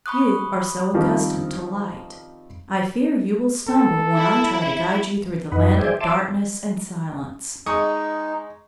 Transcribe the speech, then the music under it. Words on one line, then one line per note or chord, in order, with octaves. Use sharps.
You are so accustomed to light, I fear you will stumble when I try to guide you through the land of darkness and silence.
B5 C#6 D#6 F#6
D#3 F3 G3 C4
A4
E4
F#2 D#4 B4 D#5 F#5 B5
G#4 C5 D5 E5 G5 G#5
E5 A5 C6 D6 E6
G#3 D#4 C#6 D#6